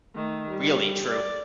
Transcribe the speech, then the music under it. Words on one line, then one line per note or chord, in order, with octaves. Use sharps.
Really true.
D#3 A3
G3
D5